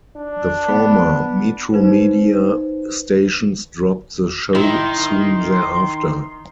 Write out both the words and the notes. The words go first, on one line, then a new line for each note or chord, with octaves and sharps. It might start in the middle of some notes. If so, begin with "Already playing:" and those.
The former Metromedia stations dropped the show soon thereafter.
D4
B3
D#4 B4 C5
D#3 E4 C6